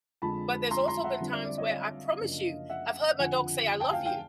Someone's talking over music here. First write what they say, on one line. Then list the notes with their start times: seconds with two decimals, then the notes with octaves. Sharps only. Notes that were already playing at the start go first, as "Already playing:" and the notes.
But there's also been times where, I promise you, I've heard my dog say, "I love you."
0.22 F2 D3 F3 G#3 A5 B5
0.71 A#5 C6
0.88 A#5 C6
1.04 E5 F#5
1.20 D3 G3 C4 F4
1.33 D5 E5
1.45 D5
1.58 C#5 D#5
1.71 D#5 F5
2.19 F#2 C#3 F3 A#3 D4
2.70 E5 F#5
3.19 F2 D3 F3 F#5 G#5
3.80 G5 A5
3.93 F5 G5
4.05 F5 G5